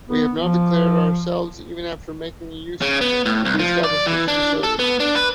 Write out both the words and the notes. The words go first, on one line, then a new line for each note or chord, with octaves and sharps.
We have not declared ourselves even after making use of the establishment's facilities.
B3
F3
C#3
B3
A2
C2
F3
D5
E3
D4
A4
B3
D4
B4